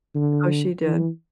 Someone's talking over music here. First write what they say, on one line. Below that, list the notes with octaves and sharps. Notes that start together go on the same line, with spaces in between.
Oh, she did.
D3
E3